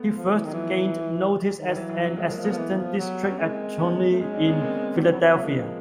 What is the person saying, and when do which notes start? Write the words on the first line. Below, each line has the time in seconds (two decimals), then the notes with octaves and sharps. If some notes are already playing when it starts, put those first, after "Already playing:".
He first gained notice as an assistant district attorney in Philadelphia.
Already playing: A3 B3
0.13 F3
0.33 E3
0.44 D#3 F#3
0.53 E3 F3
1.56 D#3
1.69 G3
1.76 E3 F#3
1.89 F#3
2.03 F#3
2.16 F3 F#3 G#3
2.30 G#3 A#3
2.37 F3
2.44 A3 B3
2.52 F3
2.58 E3
2.78 F3
2.98 F#3
3.30 C#4
3.39 G#3 A#3 C4
3.79 B3 C#4
4.11 A3
4.20 G#3 C#4 D#4
4.33 C4 D4
4.47 B3 C#4
4.61 A#3 C4
4.97 F#3
5.01 G3
5.11 F#3
5.22 F3
5.32 F#3
5.41 F3 G#3 A#3
5.50 E3
5.59 F3